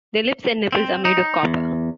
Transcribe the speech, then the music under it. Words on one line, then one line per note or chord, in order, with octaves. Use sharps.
Their lips and nipples are made of copper.
C4
D#4
E2